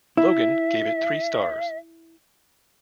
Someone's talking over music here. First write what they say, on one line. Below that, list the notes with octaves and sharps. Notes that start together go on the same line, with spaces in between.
Logan gave it three stars.
E4 E5